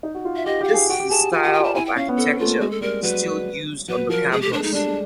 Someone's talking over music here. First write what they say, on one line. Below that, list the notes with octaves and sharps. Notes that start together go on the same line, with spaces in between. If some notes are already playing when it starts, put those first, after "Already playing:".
This is the style of architecture still used on the campus.
D#4
F#4
F4
E5
G4 D#5
G4
F#5
F5
G#4
F#4 G5
G4
G#4 A5
G4
F4 G#5
G4 F#5
G5
F4
A5
E4 G#5
G5
C#4 F5
B3
C4 A4
B3
A3 F4
A#3
G#3 F#4
A4
G3 A#4
F#3 B4
F#3 B4
F3 A#4
G#3 G#4
A3 G4
D4
G#3 D#4
G3 D4
G#3